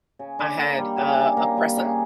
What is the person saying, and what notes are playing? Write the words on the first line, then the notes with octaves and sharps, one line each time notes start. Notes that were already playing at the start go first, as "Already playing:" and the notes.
I had, uh, a Presa,
C#3
D4
A#3
G3
C#3
D4
A#3
G3
C#3